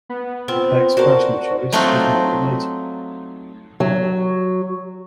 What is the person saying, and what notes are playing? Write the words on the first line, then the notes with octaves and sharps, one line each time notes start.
Peck's personal choice was Margaret Leighton.
B3
C4 F4
F#4 A#4 C5 D5 A5 C#6
F#3 A3 C4 D#4 F4 F#4
F#3